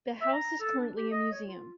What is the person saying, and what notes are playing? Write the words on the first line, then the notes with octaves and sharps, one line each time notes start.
The house is currently a museum.
E5
A#5
A4
D4
G4
D#5
C#5
F4